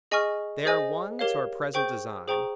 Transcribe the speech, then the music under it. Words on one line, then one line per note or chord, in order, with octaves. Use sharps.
They are one to our present design.
G#4 D#5 G#5 C#6 F6
G#4 C5 D#5 G#5
G4 A#4 C#5 F5
G#4 C5 G5 C#6 G6
G#4 C5 G5 A#5 C#6